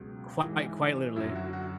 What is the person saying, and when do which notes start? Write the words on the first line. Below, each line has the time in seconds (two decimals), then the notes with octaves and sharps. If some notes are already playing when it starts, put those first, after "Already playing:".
Quite quite literally.
Already playing: C#2 B2 F#3
0.43 G#2 E3
1.16 F#2 E4
1.19 D3 F#3
1.35 F#4
1.53 F#4